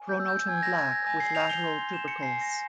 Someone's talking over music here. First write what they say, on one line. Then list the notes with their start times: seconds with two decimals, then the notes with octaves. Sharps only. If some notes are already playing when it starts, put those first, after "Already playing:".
Pronotum black with lateral tubercles.
Already playing: G#5
0.09 G6
0.20 E6
0.28 G6
0.48 G#5 G#6
0.58 G#6
0.63 A#6
0.77 G6 G#6
0.92 A#6
1.06 G#5 A#6
1.20 C7
1.35 G6 F7
1.50 G7
1.64 C6
1.93 G6 E7
2.08 C#7
2.22 G#5 C7
2.41 A#6
2.51 G6